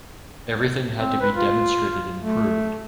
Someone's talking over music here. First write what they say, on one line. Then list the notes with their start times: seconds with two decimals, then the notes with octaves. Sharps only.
Everything had to be demonstrated and proved.
0.97 C4
1.21 B4
1.35 F4
2.20 A3